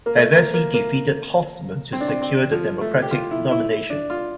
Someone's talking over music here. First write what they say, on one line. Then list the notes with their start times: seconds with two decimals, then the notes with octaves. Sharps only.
Hevesi defeated Holtzman to secure the Democratic nomination.
0.06 A#3
0.15 A3
0.34 A#3
0.54 A#3
0.74 A#3
1.93 C4
2.01 D4
2.08 C4
2.22 C4
2.52 F3
2.81 A3
3.02 G4
3.11 F4
3.31 E4
3.51 E4
3.71 E4
3.90 D4
4.10 F4